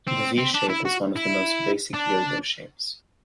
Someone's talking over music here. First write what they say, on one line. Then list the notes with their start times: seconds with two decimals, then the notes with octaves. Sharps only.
The V shape is one of the most basic yo-yo shapes.
0.08 C4
0.38 C4
0.55 D4
0.70 E4
0.85 F#4
1.16 E4
1.94 D4